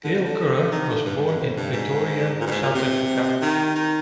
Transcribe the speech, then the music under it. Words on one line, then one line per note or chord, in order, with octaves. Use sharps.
Gail Currer was born in Pretoria, South Africa.
D3
C3
D3
D#3
D3
G2
G#2
G2
F2
G2
G#2
A#2
G2
G#2
A#2
C3
D#3
D#3